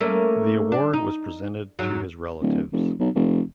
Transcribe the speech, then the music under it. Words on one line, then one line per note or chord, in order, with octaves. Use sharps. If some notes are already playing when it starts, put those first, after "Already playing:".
The award was presented to his relatives.
A3 A#3 C#4
D4
D#4
G#2 F#3
D1
F1
B1
F1